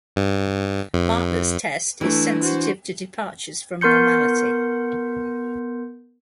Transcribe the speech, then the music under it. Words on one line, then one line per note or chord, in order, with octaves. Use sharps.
Bartlett's test is sensitive to departures from normality.
G2
F2
E3 A3 D4 A4
F#4 C5
B3 A#4 C6 G6 C#7